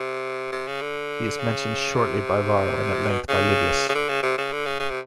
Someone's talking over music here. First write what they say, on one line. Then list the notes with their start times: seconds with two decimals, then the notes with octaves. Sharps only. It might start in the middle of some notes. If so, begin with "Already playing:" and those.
He is mentioned shortly by Varro and at length by Livius.
Already playing: C3
0.52 C3
0.67 C#3
0.81 D3
1.39 C#3
1.94 C3
3.09 B2
3.29 C#3
3.89 C#3
3.95 D3
4.09 C#3
4.23 C3
4.38 C#3
4.52 D3
4.66 C#3
4.80 C#3
4.90 C3